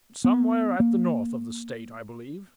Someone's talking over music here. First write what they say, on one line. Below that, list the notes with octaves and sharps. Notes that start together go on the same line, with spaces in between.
"Somewhere at the north of the State, I believe."
B3
A#3